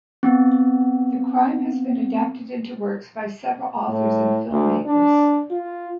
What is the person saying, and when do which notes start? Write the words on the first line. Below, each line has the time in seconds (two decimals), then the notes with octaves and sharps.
The crime has been adapted into works by several authors and filmmakers.
0.23 B3 C4
3.88 A2
4.50 D2
4.86 D4
5.51 F4